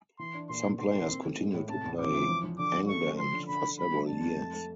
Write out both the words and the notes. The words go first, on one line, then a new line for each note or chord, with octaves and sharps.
Some players continue to play "Angband" for several years.
E3 C6
D4
A#2 C6
A#2
D3 C6
A#3
C4
A3
G#3
A2
C3 A5
E2
C4 D6
E3
F3
F3
D3 D6
F#3
A3 C#6
C#4
F3 C6
D3
D3 B5
D3
G3 B5
G3
F2 A5
F2
A3
A3